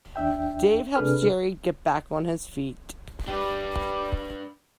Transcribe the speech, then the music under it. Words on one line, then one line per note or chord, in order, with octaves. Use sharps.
Dave helps Jerry get back on his feet.
D#2 D4 E5 G5
C3 D4 G#4 A4 B4 F6
G3 D4 B4